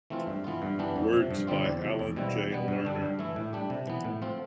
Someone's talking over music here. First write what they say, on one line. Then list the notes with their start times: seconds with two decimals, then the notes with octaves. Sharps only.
Words by Alan Jay Lerner.
0.10 E3 A3 C4 F4
0.27 G2
0.44 E3 B3 F4
0.62 G2
0.79 E3 B3 D4 G4
0.96 F2
1.13 C3 F3
1.31 G2
1.47 D3 G3 C4 F4
1.65 E2
1.82 C3 F3
1.99 E2
2.16 B2 G3 C4 E4
2.34 E2
2.50 B2 G3 B3
2.68 G2
2.85 D3 G3 D4
3.02 G2
3.19 E3 A3 E4
3.36 A2
3.53 G3 D4 G4
3.70 C3
3.87 E3 B3
4.05 A2
4.22 F3 C4 F4